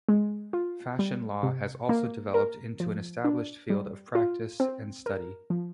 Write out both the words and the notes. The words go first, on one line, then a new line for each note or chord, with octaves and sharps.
Fashion law has also developed into an established field of practice and study.
G#3
F4
G3
C3
A#3
A#4
F3
D4
G3
F4
C4
A#4
F3